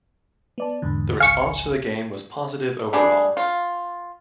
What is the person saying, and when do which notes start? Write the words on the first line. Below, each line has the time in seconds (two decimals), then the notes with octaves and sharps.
The response to the game was positive overall.
0.58 B3 D5 A5
0.82 E2 G#2 D3
1.20 G#1 C#2 F5 G#5 C#6
2.93 G3 A3 D4 G#4
3.37 F4